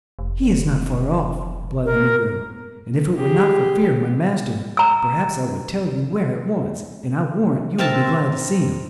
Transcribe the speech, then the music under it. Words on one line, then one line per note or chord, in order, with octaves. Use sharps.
"He is not far off," replied the negro; "and if it were not for fear of my master, perhaps I would tell you where at once, and I warrant you would be glad to see him."
F1
A#4
G4 G#4
A#5 E6
C4 A#4 E5 A5